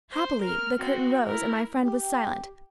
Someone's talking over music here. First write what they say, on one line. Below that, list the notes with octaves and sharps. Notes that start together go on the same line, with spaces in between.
Happily, the curtain rose and my friend was silent.
C5
A#4 F6
C4 F#4
E4 A#4
G4